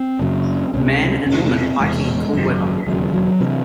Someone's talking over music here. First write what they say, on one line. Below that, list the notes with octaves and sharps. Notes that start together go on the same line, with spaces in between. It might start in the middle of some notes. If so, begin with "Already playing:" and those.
A man and woman hiking in cool weather.
Already playing: C4
F#1 F#2 C#3
C#2 C3 C#4
E1 E2 C3 C#4
A3
C4
E1 E2 C3 G#3
G#1 F#2 C#3
E1 D#2 C#3 F#3
F#3
C3 E3